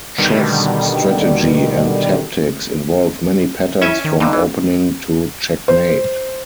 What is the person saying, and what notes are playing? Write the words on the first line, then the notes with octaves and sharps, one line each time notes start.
Chess strategy and tactics involve many patterns from opening to checkmate.
B2 D3 D#3 G3
C#4 E4 E5 G#5
D#3
G2 D3 D#4
A#1 E3
C5